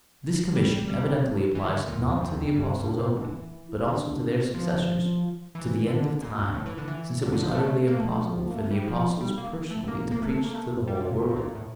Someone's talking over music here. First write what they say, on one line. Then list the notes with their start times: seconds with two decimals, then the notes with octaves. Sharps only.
This commission evidently applies not to the Apostles only, but also to their successors, to the end of time, since it was utterly impossible for the Apostles personally to preach to the whole world.
0.55 G3
0.88 G3
1.55 E3
1.66 D3
1.88 A#2
1.99 E2
2.10 F2
2.21 F2
2.31 E2
2.40 F2
2.55 G2
2.80 G2
2.88 A2
2.99 C3
3.17 D3
3.22 E3
3.88 D3
4.54 F3
5.55 E3
5.88 D3
6.22 A#2
6.39 G2
6.54 A2
6.66 E3
6.78 D3
6.88 E3
7.22 D3
7.32 D3
7.43 F3
7.55 A3
7.87 A#3
7.96 A3
8.05 F3
8.13 A3
8.21 F3
8.47 A#3
8.54 A3
8.71 G3
8.87 F3
9.21 G3
9.38 A#3
9.71 A3
9.88 A#3
10.12 A#3
10.22 A3
10.32 A3
10.44 A#3
10.55 A3
10.87 G3
11.00 A#2
11.10 C3
11.22 A#2
11.29 C3
11.36 A#2
11.55 A2